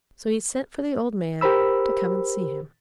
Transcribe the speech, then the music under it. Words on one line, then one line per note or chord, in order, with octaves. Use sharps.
So he sent for the old man to come and see him.
G4 A#4 C5 B5 E6